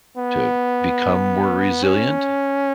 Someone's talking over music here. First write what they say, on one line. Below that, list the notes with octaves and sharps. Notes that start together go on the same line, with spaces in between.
to become more resilient
B3
C#4